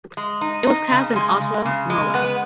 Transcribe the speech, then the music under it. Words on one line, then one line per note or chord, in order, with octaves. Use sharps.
It was cast in Oslo, Norway.
G#3
D#4
D#4
C#3
G#3
C#3
C#3
G#3
B3